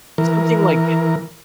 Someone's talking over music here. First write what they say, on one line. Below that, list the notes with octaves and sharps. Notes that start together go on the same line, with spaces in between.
something, like,
E3 A#4